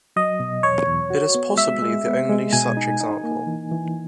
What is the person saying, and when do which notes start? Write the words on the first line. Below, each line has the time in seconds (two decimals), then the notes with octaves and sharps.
It is possibly the only such example.
0.16 F#3 D#5
0.40 B2
0.63 E2 C#5
0.87 E2
1.10 F#4
1.35 B3
1.57 G#3 E5
1.82 G#3
2.05 B3
2.29 G#3
2.53 B2 G#5
2.77 D#4
3.00 D#4
3.24 A#3
3.47 E3
3.71 E3